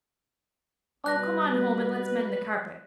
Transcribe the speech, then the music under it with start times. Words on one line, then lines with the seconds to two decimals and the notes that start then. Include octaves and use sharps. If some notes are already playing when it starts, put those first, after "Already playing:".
'Oh, come on home and let's mend the carpet.
1.06 B2 G3 B4 F#6 A#6